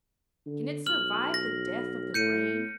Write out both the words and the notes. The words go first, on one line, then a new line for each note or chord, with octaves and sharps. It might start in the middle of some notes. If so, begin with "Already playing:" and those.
Can it survive the death of the brain?
D3
B1 F6 F#7
A#6
A2 G6 C#7 D#7